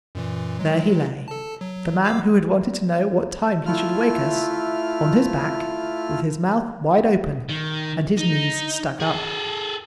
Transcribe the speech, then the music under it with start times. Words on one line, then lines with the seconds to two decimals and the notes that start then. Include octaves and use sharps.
There he lay--the man who had wanted to know what time he should wake us--on his back, with his mouth wide open, and his knees stuck up.
0.15 F#2 A#2 E3
0.59 F#3 G#3
1.28 A4 A5
1.61 F#3
2.05 F5 D6 E6
3.66 A3 E4 F4 F6
7.49 D#3
8.18 D#4
9.00 G#4 A4